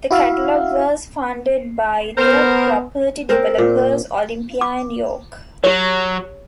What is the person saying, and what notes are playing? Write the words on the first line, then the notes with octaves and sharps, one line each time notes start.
The catalogue was funded by the property developers Olympia and York.
E4 F#4 E5 F5
B3 A#4 C5
C4 A#4 C5
A#2
D6
F#3 G4 C#5